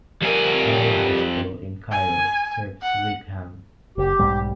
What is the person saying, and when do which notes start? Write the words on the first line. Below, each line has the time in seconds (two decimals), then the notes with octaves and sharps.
Cairo High School in Cairo serves Whigham.
0.22 F2 G3 A#4 G#5
1.92 G#5
2.82 F#5
3.98 F#1 G4
4.19 B1 G#2 G3